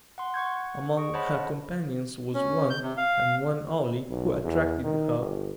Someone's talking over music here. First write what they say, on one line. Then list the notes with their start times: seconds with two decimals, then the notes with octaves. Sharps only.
Among her companions was one, and one only, who attracted her.
0.18 F#5 C6
0.34 F#5 C#6 G6 G#6
0.97 G#4 C#6
1.14 C5 C#5 D#5 F#5 A5 B5
2.34 C#4
2.70 G6
2.82 C3
2.97 F5
4.10 B1
4.44 E2
4.84 D#3
5.19 G1